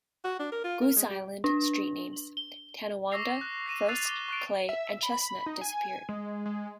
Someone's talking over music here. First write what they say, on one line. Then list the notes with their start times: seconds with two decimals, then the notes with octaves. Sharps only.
Goose Island street names Tonawanda, First, Clay and Chestnut disappeared.
0.24 F#4
0.39 D4
0.52 A#4
0.64 F4
0.81 A#4
0.96 G#3
1.10 G4
1.44 D4
2.37 G7
3.12 C#6 D6 E6 A#6 C7 F7
3.41 F#6
3.66 A#6 C7 D#7 E7
3.89 E6 F#6 A6 C7 D#7 F7
4.06 D6 G7
4.28 C#6 F#6 D7
4.69 E5
5.03 B5
5.46 D#4
5.61 G#5
6.09 G#3
6.46 G#3